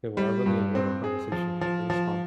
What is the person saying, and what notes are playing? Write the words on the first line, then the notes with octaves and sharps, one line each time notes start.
Yeah, well, I really enjoyed our conversation, it was fun.
G3
G2
C4
G#4
F3
F3
F3